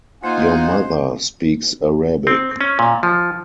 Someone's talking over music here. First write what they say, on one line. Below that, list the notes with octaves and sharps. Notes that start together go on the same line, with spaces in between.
Your mother speaks Arabic.
A#3 D#4 F4 C5 F#5 G#5
C4
C#4
A#2
F3